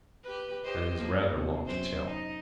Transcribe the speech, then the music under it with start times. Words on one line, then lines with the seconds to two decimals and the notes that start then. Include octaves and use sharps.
And it is rather long to tell.
0.24 G4 B4
0.64 G4 C5 D#5
0.98 F3 A#3
1.32 E2 C3
1.66 F#2 C4 C5
2.04 D#4